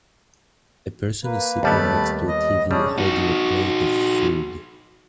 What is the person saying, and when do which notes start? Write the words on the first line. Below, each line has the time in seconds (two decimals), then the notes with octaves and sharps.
A person is sitting next to a tv holding a plate of food.
1.24 A#3 B4
1.63 D#2 G3 A3 B3 A5 B5
2.28 D#5
2.71 G3 C#4 D4 G#4
2.98 D#4 F#4